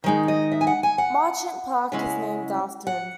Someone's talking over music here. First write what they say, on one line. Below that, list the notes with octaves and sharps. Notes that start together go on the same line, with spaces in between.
"Marchant Park" is named after him.
D#3 G#3 D#4
D#5
E5
G#5
F#5
G#5
F#5
C#3 G#3 C#4 E4
F#5